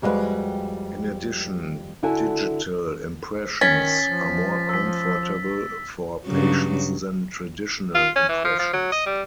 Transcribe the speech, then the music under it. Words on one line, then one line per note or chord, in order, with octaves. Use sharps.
In addition, digital impressions are more comfortable for patients than traditional impressions.
F2 G3 G#3 F4 F#4 B4
D3 E4 F#4 A4 G#5
D#3 C#4 A6 B6
F3
E6 B6
G2 C#3 F#3
F4
C#4
E3
F3
F3
F#3
D#5
G3